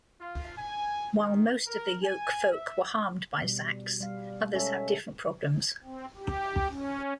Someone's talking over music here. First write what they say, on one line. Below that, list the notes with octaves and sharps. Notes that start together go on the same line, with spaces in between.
While most of the Yolkfolk were harmed by Zaks, others have different problems.
F4
G#5
D#3
A#4
G#5
E5
B2 G3
G3 F5
G#3 C#4 A4 E5
C4
G4
C#4